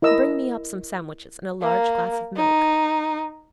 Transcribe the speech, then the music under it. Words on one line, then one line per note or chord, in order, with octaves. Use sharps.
Bring me up some sandwiches and a large glass of milk.
E4 A#4 D#5 E6
A#3
D#4